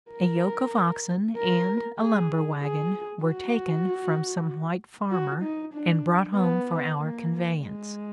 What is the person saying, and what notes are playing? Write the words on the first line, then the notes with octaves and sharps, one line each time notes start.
A yoke of oxen and a lumber-wagon were taken from some white farmer and brought home for our conveyance.
A#4
A#4
G#4
G#4
F#4
F#4
D#4
D4
B3
A#3
G#3